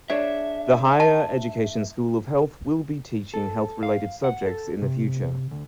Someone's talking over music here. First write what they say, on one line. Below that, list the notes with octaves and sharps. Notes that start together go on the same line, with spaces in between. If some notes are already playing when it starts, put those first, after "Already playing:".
The Higher Education School of Health will be teaching health-related subjects in the future.
D4 G#4 C#5 E5
A5
A4
F5
F#5
A4
C3
D2